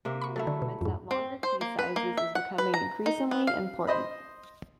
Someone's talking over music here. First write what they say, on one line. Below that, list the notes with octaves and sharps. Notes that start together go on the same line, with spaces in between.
Some performance at longer key sizes is becoming increasingly important.
C3 A#3 E5
B5 C#6
F#3 A3 E4 A4 E5
D3
B2
F2 G#2
C4
C5
A#3
B4
A#3
E5
F#5
B4
A#5
D#4
B3
F5
C5 D#5 B5